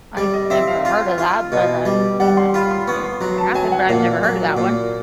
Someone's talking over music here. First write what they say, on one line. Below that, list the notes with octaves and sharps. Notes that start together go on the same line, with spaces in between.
I've never heard of that, but, I mean, I'm not gonna say it's never happened, but I've never heard of that one.
G3 D5
D#5
C4 E5
F5
F4
F4
B2
G3
G3 F#5
C6
F4 B5
C6
B3 C#6
C6
F#3 A#5
A5
F#3 G#5
F#5
A#2 F5
F#3
A#2